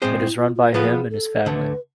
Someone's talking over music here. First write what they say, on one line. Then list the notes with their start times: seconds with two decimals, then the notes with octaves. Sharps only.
It is run by him and his family.
0.02 A2 G#3 C4 G#4 C5
0.19 E4
0.37 F4
0.56 F4
0.74 F3 B3 F4 G#4 B4
1.10 A4
1.46 D2 D3 A3 B4